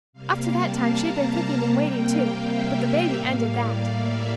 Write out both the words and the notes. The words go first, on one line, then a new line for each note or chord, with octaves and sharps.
Up to that time she'd been cooking and waiting, too, but the baby ended that.
C3 G3 A#3 F5
A5
A#5
A5
C3 G3 A#3 G5
F5
E5
F5
A2 G3 A#3 F5
D5
E5